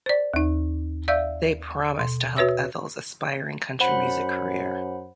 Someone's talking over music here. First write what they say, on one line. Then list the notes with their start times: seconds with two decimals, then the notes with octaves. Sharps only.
They promised to help Ethel's aspiring country music career.
0.06 C5 D5
0.34 D#2 D#4
1.08 D5 E5 F5 E6 G6
1.99 B2
2.36 F#4 B4 C#5 E5 E6
3.80 F#2 C5 F#5 B5